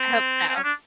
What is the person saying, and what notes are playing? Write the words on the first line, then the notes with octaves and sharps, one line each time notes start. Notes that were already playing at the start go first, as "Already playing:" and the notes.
I hope so.
Already playing: C4
C4
C#4
D4